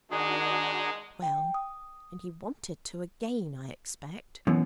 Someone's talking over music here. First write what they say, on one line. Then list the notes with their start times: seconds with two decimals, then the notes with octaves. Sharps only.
"Well, and he wanted to again, I expect."
0.11 D#3 G#3 D4 D#4 F#4 G#4
1.22 G5
1.54 D#6
4.47 F#2 B2 E3